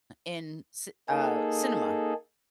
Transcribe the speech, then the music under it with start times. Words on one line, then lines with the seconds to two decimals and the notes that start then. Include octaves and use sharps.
in ci uh, cinema,
1.09 A#3 D#4 G#4 A4